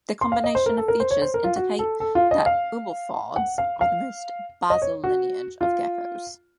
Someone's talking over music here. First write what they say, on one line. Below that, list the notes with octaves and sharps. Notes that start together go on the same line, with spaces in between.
Their combination of features indicate that Eublepharids are the most basal lineage of gekkos.
C6
F5
D#5
C5
A#4
A4
A#4
C5
C#5
C5
A#4
F4
F#4
A4
A4
F4
D#5
F5
F#5
F5
F5
D#5
C#5
F#4
F4